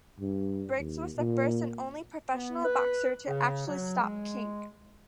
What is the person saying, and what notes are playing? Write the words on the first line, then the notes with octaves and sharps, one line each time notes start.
Briggs was the first and only professional boxer to actually stop King.
G2
D#2
A#2
B3
B4
C#3
F#3
G#3